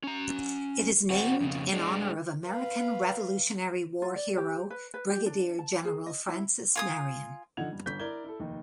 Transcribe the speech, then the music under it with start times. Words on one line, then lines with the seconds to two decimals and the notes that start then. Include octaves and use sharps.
It is named in honor of American Revolutionary War hero Brigadier General Francis Marion.
0.04 C#4 A#5
1.10 C4 F#4
1.41 F2 C#3
1.73 G#3 D4
2.47 B4 F5
4.02 F4
4.16 D5
4.37 G4
4.70 B4
4.94 B4
5.10 G4
5.26 D4
5.59 A5
5.85 G#4
6.06 D#5
6.28 E4
6.75 F4 G#5 D#6
7.57 D3 F3 D#4 F#5 G#6 F7
7.72 G2
7.86 G1 D3 G6 B6
7.99 E4 A#4 D5 G#6 G7
8.24 E4 A4
8.40 F1 D#2 D#4